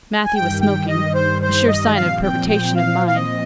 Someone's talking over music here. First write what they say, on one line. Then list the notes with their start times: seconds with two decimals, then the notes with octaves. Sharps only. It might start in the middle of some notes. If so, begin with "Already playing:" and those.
Matthew was smoking--a sure sign of perturbation of mind.
0.25 G#5
0.35 G2 D#3 G3 G5
0.61 G5
0.88 D#5
1.15 C5
1.42 C5
1.68 D#5
1.95 A#2 F3 C4 F5
2.23 G5
2.50 G5
2.76 F5
3.07 F5
3.16 D#5